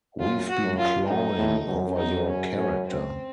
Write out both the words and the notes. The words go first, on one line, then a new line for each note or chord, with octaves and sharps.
We've been clawing over your character.
F#2 F4
F#4
F#2
F4
F#2 D#4
A2
F#2
D#4
C#4
C#4
C4